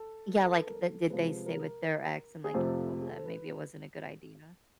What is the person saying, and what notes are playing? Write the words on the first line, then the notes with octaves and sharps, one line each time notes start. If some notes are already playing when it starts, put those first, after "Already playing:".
Yeah. Like, th did they stay with their ex and, like, you told them maybe it wasn't a good idea?
Already playing: A4
A4
B4
A#4
A4
C3 F3 G#3 B4
A#4
G#4
F2 C3 F3 A3 A4
A4
G#4
A4
C5
B4